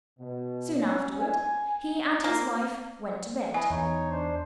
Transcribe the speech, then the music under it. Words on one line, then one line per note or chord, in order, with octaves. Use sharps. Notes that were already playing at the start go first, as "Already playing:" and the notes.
Soon afterward, he and his wife went to bed.
B2
C#4
G#5
A#3
E4 B4 D#5 G#5
E2 D#4 C#5
D4 C5